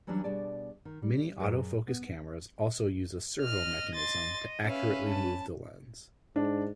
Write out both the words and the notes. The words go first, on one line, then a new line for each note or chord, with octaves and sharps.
Many autofocus cameras also use a servomechanism to accurately move the lens.
E3 F#3 G3 C#4 D4 F#4
B2 G3 D4 G#4 D5 A5
D#3
G3
F#2 G#4 B4 D#5
B3
D#5 F6
C6 A6
C#4 B4 E5 F5
A5
G#2 D4